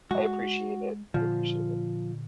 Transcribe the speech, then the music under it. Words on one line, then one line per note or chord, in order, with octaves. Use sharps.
I appreciate it. I appreciate it.
G#3 F#4
A#2 D3 F3